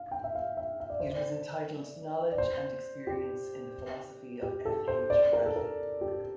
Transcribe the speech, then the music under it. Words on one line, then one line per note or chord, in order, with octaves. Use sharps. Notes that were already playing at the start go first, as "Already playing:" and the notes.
It was entitled "Knowledge and Experience in the Philosophy of F. H. Bradley".
Already playing: F5
G5
E5
F5
E5
E5
D5
C5
D5
D5
C5
G4
G4
A4
C5
D5
A#4
A4
A#4
G4